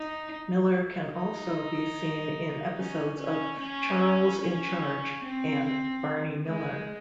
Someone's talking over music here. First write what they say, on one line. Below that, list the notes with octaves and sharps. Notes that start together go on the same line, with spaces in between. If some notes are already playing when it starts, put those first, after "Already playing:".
Miller can also be seen in episodes of "Charles in Charge" and "Barney Miller".
Already playing: D#4
D#4
C#4
C#4
C#4
C#4
C4
G#3